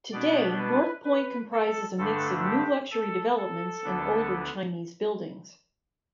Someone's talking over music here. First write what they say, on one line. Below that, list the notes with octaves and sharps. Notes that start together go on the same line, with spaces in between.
Today North Point comprises a mix of new luxury developments and older Chinese buildings.
B2 B3 D4 D5
B4
B4
A4
G2 D3 A3 D4 A4
G4
A4
A4
D2 D3 B3 D4